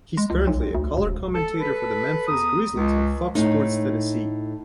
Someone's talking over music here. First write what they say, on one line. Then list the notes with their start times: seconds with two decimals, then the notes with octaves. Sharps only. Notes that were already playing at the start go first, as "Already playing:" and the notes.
He is currently a color commentator for the Memphis Grizzlies on Fox Sports Tennessee.
0.17 G#3
0.30 C#2
0.47 B1
0.75 D2
0.97 E1
1.34 A4
1.61 A4 B4
2.27 E2 A#5 D#6
2.74 C#2
3.35 A2 D#4